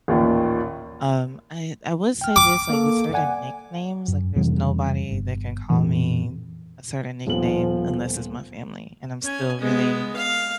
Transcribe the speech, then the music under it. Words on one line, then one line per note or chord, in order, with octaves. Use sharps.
Um I I would say this, with certain nicknames, like, there's nobody that can call me a certain nickname unless it's my family. And I'm still really,
A1 D#2 A#2 D#3
G5 F6
D6
A#3 A4
D5 F#5 G#5
F#2
F2 C3 E3 G3
G1
F2 A#2 E3
D#1 F3 B3 F#7
C#4 G#5
G#3 B3
F5